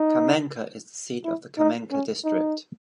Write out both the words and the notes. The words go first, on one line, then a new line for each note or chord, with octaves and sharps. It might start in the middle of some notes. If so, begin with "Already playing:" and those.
Camenca is the seat of Camenca District.
Already playing: D#4
E4
D#4
C#4
D#4